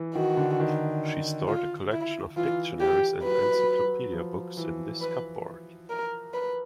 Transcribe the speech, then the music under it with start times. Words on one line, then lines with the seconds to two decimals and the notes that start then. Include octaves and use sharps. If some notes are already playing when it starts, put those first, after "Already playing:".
She stored a collection of dictionaries and encyclopedia books in this cupboard.
Already playing: E3
0.15 D#3 F#4
0.37 D3
0.60 D#3
1.48 F4
1.92 E4
2.36 E3 F4
2.80 G4
3.24 F#3 B4
3.54 F#3
3.83 F#3
4.13 F3
4.57 E3
5.01 B4
5.90 A#4
6.34 B4